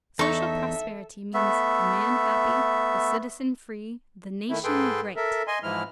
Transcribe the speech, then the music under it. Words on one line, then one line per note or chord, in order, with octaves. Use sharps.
Social prosperity means the man happy, the citizen free, the nation great.
E2 D#4 A4 E5 C#6
A3 B3 E5
D#3 A3 E4
G#2 G#4 A4 B4 G5 C6
A4 A#4 E5
D#5 G#5 C6
G#2 E3 F3 G#3 E4 F6